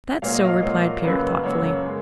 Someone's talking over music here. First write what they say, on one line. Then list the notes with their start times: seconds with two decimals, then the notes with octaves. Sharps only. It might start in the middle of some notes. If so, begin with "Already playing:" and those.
"That's so," replied Peter thoughtfully.
0.22 A#2 F#3 A#3 F5
0.34 D#5
0.45 F5
0.62 A#2 F#3 A#3
0.98 C#5
1.03 F#2 C#3 F#3 A#3 B4
1.44 F#2 C#3 F#3 A#3 C#5
1.85 C#3 G#3